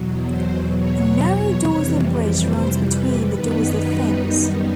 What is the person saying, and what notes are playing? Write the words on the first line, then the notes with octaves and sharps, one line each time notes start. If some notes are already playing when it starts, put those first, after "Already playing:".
A narrow dorsal ridge runs between the dorsal fins.
Already playing: E2 B2 F#3
C5
C#5
F2 C3 E3 G3
C5
B4
F#2 D#3 G3 B3 D#4 B4